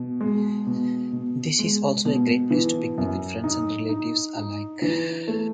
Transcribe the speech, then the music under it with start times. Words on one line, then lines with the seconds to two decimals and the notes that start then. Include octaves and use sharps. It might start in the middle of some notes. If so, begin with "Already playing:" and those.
This is also a great place to picnic with friends and relatives alike.
Already playing: B2
0.21 G#3
0.67 B2
1.12 B2
1.59 G#3
2.05 B2
2.51 E3
2.98 F#2
3.44 D#4
3.89 D#4
4.35 D#4
4.82 E3
5.28 A3